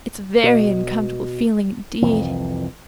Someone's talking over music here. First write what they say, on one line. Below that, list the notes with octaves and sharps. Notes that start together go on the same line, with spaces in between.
It's very uncomfortable feeling indeed.
B2
C2 F2 E3